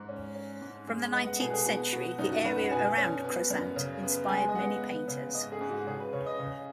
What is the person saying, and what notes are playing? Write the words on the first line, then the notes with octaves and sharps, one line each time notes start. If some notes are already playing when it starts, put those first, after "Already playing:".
From the nineteenth century, the area around Crozant inspired many painters.
Already playing: G#2
C#4
C#4
G#2
G#3
B3 D#5
F#5
B2 G#4
G#4
B3 F#4
B2 F#4
F#2 D#4
F#4
F#2 B4
F#5
B2 G#5
C#4
B3
F#2
C#3
B3
G#3 G#5
D#5
B3 F#5
B3
C#3
G#2 D#5
G#4
G#2
F#4
C#3 G#4
B4
C#3 C#5
D#5
C#3